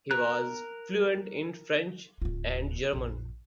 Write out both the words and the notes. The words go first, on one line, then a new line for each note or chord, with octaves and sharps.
He was fluent in French and German.
A#4 A#5 F#6
D1 F4
A#1 F2